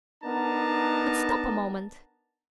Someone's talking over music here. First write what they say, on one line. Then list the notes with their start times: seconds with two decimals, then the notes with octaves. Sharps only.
But stop a moment.
0.23 B3 D4 D#4 A#4 A5 A#5